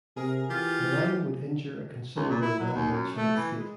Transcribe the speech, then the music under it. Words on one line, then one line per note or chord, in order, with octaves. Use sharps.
The line would injure a considerable residential estate.
C3 G#4 A#4
E3 F4 G4
C#2
A#2
E4
F#3
D#2
F#2
A3
E3
G#3